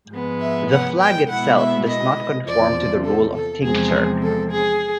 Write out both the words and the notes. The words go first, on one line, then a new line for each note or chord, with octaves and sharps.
The flag itself does not conform to the rule of tincture.
G#2 F3 G#3 B3
E5
F#5
G5
B2 G#3 B3 E4 F#5
E5
D#5
E2 C3 F3 D5
A4
A4
E2 C3 F3 G#3 C4 G#4
A4
G#4